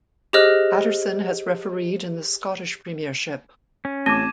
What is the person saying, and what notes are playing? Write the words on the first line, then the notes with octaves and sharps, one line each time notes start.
Paterson has refereed in the Scottish Premiership.
G4 G#4 C5 D#5 F6 F#6
C#4
A1 C4 D6 G#6 D#7